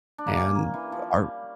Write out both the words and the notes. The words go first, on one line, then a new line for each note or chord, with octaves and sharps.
and our
D4
A#3
C#4
A#3
E3
F3
G3